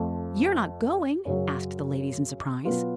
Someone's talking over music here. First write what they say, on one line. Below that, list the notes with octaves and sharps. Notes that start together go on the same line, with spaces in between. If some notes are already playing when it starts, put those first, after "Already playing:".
"You are not going?" asked the ladies in surprise.
Already playing: F2 F3 A3
F#2 C#3 F#3
B2 F#3 B3 F4